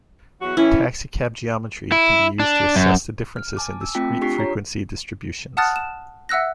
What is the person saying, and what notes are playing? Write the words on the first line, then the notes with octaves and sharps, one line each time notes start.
Taxicab geometry can be used to assess the differences in discrete frequency distributions.
E2 F#3 F#4
A2 E3 C#4 E4
E4
D4
F#2
F6
G#5 A5 D6
E6
A3 C4 F4 G5 A5 B6
D4 F4 G4 C#6 B6 C7
C#5 A#5
F#5 A5 D#6 F6 F#6 A6
E7
E5 F#5 E6 F#6 A#6